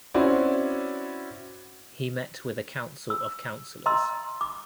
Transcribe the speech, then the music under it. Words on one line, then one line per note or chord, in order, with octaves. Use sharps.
He met with a council of councilors.
C4 C#4 E4 F#4 C5 D5
E6
D#5 A#5 C6 E6
D6